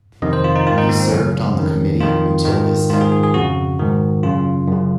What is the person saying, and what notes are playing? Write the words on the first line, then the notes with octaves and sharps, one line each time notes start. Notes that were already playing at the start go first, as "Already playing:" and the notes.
He served on the committee until his death.
F2 C3 D#3 D#5
C5
F4
D#4
G#2 D#3 F4
D#4
A#3
C4
F#2 C#3 C#4
F2 D#3
F2 D#3 F4
G#2 D#3
G#2 D#3 F4
G#4
G#4
G#4
F2 C#3 F#4
G#2 D#3
F#2 C#3 F4
F#2 C#3